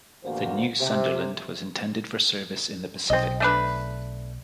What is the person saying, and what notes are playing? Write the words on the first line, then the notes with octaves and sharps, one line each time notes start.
The new Sunderland was intended for service in the Pacific.
A1 E2 D3 A#3 F#4 C5
C3
B1 C4 D#5
A3 D4 B4